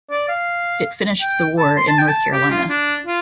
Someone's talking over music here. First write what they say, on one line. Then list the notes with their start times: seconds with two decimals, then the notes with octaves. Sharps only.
It finished the war in North Carolina.
0.11 D5
0.29 F5
1.21 G5
1.59 A5
1.77 C6
1.88 A5
1.99 G5
2.08 A5
2.33 G4
2.51 F4
2.69 D4
3.06 F4